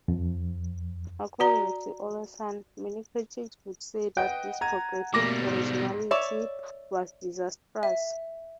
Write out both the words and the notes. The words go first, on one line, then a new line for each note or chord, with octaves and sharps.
According to Olleson, many critics would say that this progressive originality was disastrous.
F2
F#4 D5 A#5
B4 D#5 F#5 G5
F#5 A#5 G#6 D#7
B2 G3 A3 A#3 A#4 D6 A#6
G#2
C#5 D5 E5
E5